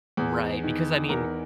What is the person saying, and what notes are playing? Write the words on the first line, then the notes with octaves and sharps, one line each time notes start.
Right, because, I mean,
E2 G#4
D#3
E2 A#4